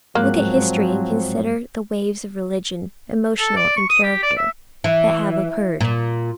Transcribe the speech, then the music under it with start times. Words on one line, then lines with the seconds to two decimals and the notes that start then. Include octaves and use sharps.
Look at history, and consider the waves of religion, emotional in character, that have occurred.
0.15 G#2 F3 F#3 G#3 A#3 C4 F#6
3.39 A4
3.56 D5
3.77 C#6
3.89 D#6
4.03 G4
4.23 D5
4.38 E5
4.84 E3
5.81 A#2